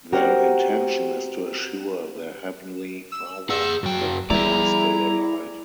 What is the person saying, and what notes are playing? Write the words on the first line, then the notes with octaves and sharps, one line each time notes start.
Their intention is to assure their heavenly father that they are still alive.
C4 F#4 G4 G5 A#5 F6
E6
G#4 F#5 E6
F#2 F#3 G5
G3 E4 G#4 D5 A#5